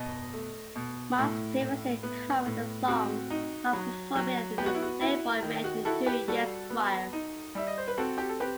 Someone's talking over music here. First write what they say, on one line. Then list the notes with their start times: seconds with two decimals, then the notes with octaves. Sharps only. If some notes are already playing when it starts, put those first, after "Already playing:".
Mars previously covered the song while performing at the Playboy Mansion two years prior.
Already playing: B2 D#5
0.33 A3
0.76 B2
1.18 A2 E4
1.61 A2
2.03 B3
2.46 A2
2.88 C4 F#4
3.30 D#4
3.73 F#3
4.16 F#3
4.58 B3 G4
4.66 F#4
4.75 E4
4.82 F#4
5.01 E4
5.43 D#3
5.64 F#4
5.85 E4 F#4 A4
6.06 G4 B4
6.28 G3 F#4 A4
6.70 B3
7.13 D#4
7.55 G3 E5
7.67 D#5
7.78 C5
7.88 B4
7.98 C4 F#4 A4
8.18 G4
8.29 A4
8.40 C4 G4 B4